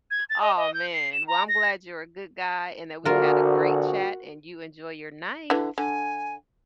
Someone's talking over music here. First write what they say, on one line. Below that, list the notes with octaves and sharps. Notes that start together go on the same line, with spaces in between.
Oh, man. Well, I'm glad you're a good guy and that we had a great chat, and you enjoy your night.
G#6
A6
D#5
D#5
G6
C7
E7
A#5
A#6
A#1 D3 F4 F#4 A#4
D3 E3
D3 G#5